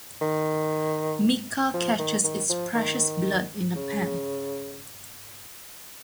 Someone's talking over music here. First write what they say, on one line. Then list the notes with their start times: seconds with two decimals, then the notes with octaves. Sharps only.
Micca catches its precious blood in a pan.
0.21 D#3
1.74 F3
1.99 D#3
2.24 D#3
2.50 F3
2.75 D#3
3.76 C#3